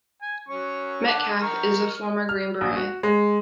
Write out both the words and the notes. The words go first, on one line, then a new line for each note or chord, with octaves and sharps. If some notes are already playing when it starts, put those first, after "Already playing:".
Metcalf is a former Green Beret.
G#5
F#3 C#4 C#6
F#5 A5 D6
A#4 C#6 F6
F6
A#1
F#4
G#3